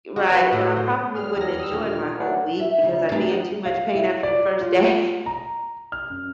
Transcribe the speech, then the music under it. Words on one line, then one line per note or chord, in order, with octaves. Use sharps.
Right. So, I probably wouldn't enjoy my whole week because I'd be in too much pain after the first day.
F#4
B4
A2
C5
D#2 G3 G#4 F6
E2 F#3 A#6
D#6 E6
A#2 D3
F#3 A3 D4 F#5
E5
D2 C#3 C#5
E3 G3 A3 A#3 D4 D#4
D2 D#3 G4 D#5 F#5
F5
E4
D5
F4
A#5
F6
F#2